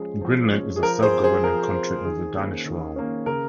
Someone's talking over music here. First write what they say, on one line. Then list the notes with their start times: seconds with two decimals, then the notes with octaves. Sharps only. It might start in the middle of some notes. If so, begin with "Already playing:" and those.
Greenland is a self-governing country in the Danish Realm.
Already playing: F3 G#3 C#4 G#4
0.21 F3
0.52 G#3 C#4
0.76 G#4
0.82 F3 A#4
1.02 G#4 C5
1.13 C4
1.23 G#4 C5
1.43 F3 A#4
1.74 C4
2.05 D#3 G#4
2.35 A#3 C#4
2.65 D#3
2.96 A#3 C#4
3.26 C#3 A#4